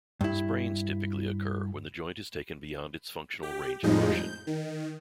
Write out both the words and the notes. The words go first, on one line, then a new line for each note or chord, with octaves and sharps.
Sprains typically occur when the joint is taken beyond its functional range of motion.
G2 E4
G4
F2 A2 F3 G3 G#3 D#4
G6
D#3